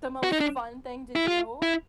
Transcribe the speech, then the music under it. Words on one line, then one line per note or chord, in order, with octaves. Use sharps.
the most fun thing to do,
F#4
D#4
D4
E4
F4
E4